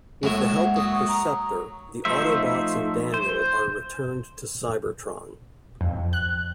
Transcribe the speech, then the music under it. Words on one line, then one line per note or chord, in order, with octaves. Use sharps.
With the help of Perceptor, the Autobots and Daniel are returned to Cybertron.
A2 F#3 G#3 A#3 E5
F#5
F#3 D#6
C#6 D#6
A#5
F3 A3 D#4 C5 E5
C5
F2
F#6